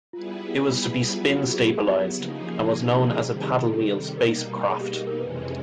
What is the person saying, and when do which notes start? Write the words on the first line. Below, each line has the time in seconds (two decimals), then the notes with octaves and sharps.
It was to be spin-stabilized, and was known as a 'paddlewheel' spacecraft.
0.13 G3 B3 E4 F4 G#4 B4
1.14 F#3 B3 E4 F4
1.27 F#4
1.40 G4
1.53 G#4
1.65 G#4
1.91 G4
2.16 C#3 F3 A#3 D#4 G#4
3.17 C3 D#3 G3 G#4
3.67 A4
4.18 B2 G3 A#3 D#4 A#4
4.69 G#4
4.81 G4
4.94 G4
5.07 A#4
5.19 F2 C3 E3 G#3 C#4 B4